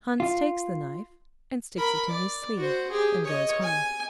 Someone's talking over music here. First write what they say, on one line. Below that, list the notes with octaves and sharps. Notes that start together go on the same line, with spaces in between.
Hans takes the knife, and sticks it in his sleeve, and goes home.
F4
A#4 B5
D5
F#4 C5
G4 G#4
C#5 D#5
G#5